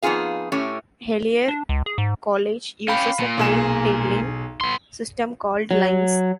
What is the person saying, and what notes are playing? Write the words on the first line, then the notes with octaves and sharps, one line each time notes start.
Hellyer college uses a time tabling system called lines.
F2 B3 D#4 F4 G#4 F5
A2 A3 C#4 G4 C#5
D4
C#2
G#4
G#2
C#4 G4 F5 B5
A#2
B1 G#4 E7
B3 C6
F#3